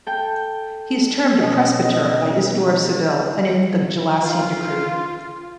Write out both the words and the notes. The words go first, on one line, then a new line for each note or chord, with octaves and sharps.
He is termed a presbyter by Isidore of Seville and in the Gelasian decree.
A4 G5
B2 C#4 D#5
F4